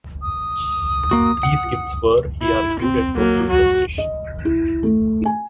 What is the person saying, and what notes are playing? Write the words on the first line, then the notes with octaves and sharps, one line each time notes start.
These gifts were, he argued, a total prestation.
D#6
A#3 F#4
F#5
E4
C4
F#3 A#3
F#4
D#5
E4
A3
G#5